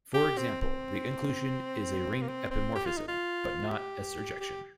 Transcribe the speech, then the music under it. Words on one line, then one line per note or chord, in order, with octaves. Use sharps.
For example, the inclusion is a ring epimorphism, but not a surjection.
G4
C4
C4
A#3
C4
C4
G4
F4
D#4
F4
G4
G4